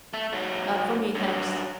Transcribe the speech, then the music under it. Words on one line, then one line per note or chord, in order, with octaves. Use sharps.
Not for me thanks.
A3
G#2 F#3
G2 F#3